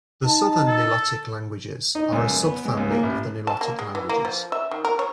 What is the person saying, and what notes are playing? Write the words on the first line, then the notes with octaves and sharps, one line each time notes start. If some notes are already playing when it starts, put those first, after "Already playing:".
The Southern Nilotic Languages are a sub family of the Nilotic languages.
D#4 A5
A4
D#4
C#2
F#2
B3
G#3
C#2
A#3
A1
A5
A#3
G#3
E3
A#3
F3
E5
D#3
A#4
C#5